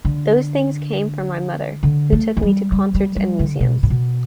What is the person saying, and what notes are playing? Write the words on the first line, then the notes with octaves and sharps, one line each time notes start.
Those things came from my mother, who took me to concerts and museums.
D3
D3
A3
E3
G3
G3
G3
G3
D3
B2
A2
B2